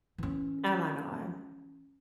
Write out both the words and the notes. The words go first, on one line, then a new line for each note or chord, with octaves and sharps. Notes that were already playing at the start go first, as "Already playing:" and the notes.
Oh my god.
E3 C#4